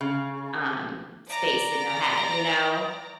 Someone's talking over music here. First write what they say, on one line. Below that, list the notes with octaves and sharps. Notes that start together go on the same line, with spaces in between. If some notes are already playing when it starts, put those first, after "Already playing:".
um, space in your head, you know,
C#3
D5 A#5